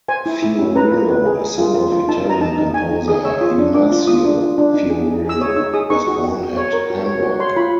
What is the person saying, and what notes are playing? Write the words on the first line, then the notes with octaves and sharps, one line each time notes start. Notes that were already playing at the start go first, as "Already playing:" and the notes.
Fiorillo, a son of Italian composer Ignazio Fiorillo, was born at Hamburg.
C5 G#5
E4
E4
C#4
B4 A#5
F4
B4
G#4
G#4
F4
F4
F4
D#4 A5
D#4 A#5
D#4 A5
D#4
D#4 G#5
D#4
G#4 D#6
C#5 E6
F4 D#6
D4
D4 D6
F4
F4 D#6
D4
F4
D4
D#4
G#4
G#4
G#4 E6
C#5 D#6
D#4 E6
G#4 D#6
D#4 C#6
F#4
F#4
F#4
C#5
A#4
F#4
C#5
F#4
C#5 C6
F4 B5